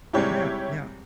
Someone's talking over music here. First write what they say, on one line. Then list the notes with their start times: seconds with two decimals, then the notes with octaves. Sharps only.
Yeah, yeah.
0.13 G#2 C3 G3 E4 G4 C#5